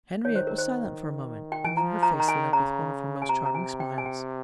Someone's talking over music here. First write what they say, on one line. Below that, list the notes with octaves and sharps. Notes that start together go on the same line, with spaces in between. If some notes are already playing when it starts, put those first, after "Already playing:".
Henriette was silent for a moment, and then her face lit up with one of her most charming smiles.
D#3 C#5
C5
A#4
C5
G5
G#5
F3 A#5
A#5
D#3
A#5
G#5
C#3 A#5
G#5
C3 A#5
A#5
G#5
G5
G#5
G5